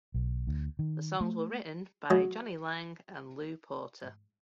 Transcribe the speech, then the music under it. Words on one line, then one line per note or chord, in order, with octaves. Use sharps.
The songs were written by Johnny Lange and Lew Porter.
B1
D2
D#3
A3
F#3 D#5